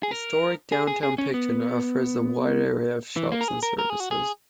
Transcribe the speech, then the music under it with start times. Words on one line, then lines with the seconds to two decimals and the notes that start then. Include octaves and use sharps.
Historic downtown Picton offers a wide array of shops and services.
0.03 G#4
0.11 A#4
0.72 G#4
0.87 G#4
1.03 G#4
1.18 C#4
1.34 B3
3.16 E3
3.32 A#3
3.41 A#4
3.48 G#4
3.63 A#4
3.79 A#4
3.90 G#4
4.00 F#4
4.11 G#4